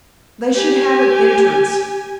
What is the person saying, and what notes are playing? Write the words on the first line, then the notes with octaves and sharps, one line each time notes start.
They should have an entrance.
G4 G#5